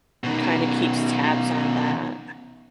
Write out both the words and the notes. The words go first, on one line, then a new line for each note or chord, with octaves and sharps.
kinda keeps tabs on that.
B2 D#3